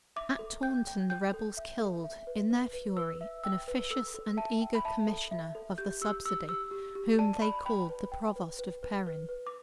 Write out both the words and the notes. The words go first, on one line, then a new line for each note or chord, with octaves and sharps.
At Taunton, the rebels killed, in their fury, an officious and eager commissioner of the subsidy, whom they called the provost of Perin.
E5 D6
A4
G5 G6
G5
G5 G6
A4
E5
A4
E5
B4
B4
B4
B4 E6
E5
G5 E6
B4
A4 E6
A4
E5 A5
G5
B5
E5 A5
A4
E5
A4
G4 G6
G4 E6
G4 E6
G4 E6
G4
G4
D5 A5
D5 B5
G5 B5
B4
G5
B4
B4
B4
B4
B4
D6